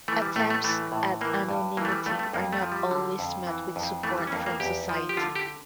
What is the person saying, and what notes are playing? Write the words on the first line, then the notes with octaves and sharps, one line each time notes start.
Attempts at anonymity are not always met with support from society.
E3 A3
G3
A2 A3
A3
E3 A3
A2
E3 A#3
G2
E3 A#3
A3
G3
G2 A3
A3
F2 A#3
A3
F3
G3
D3
F2
E3
F2
E3 A3
G3
C#4
F2 A#3
A#3
E2 G4
F3
G4
D3 F4
G4